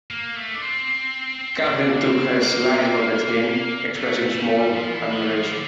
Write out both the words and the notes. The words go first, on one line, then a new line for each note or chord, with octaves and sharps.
Catherine took a sly look at him, expressing small admiration.
A#3
A3
D4
C4
D4
A#3
C4
A#3
A3
G3
A3
G3
F3
E3
F3
E3
F3
D3